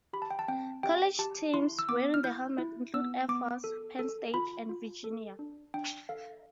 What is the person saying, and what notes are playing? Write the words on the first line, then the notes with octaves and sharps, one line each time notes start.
College teams wearing the helmet include Air Force, Penn State, and Virginia.
G4 B5
A5
G5
A5
C4 G5
G4 G5
G4 A5
E4 C6
E6
B3 D6
F6
E4 G6
E4
B3 E6
B3 D6
A4
A4
F4 B5
F4
A4
D4
D4 G5
A4 F5